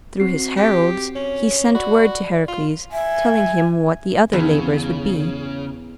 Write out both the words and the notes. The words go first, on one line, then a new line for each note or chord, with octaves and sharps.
Through his heralds he sent word to Heracles, telling him what the other labors would be.
C4 F#4 C7
G4
C#4
F#4 D5 B5
F4
E5 G#5
E2 C#3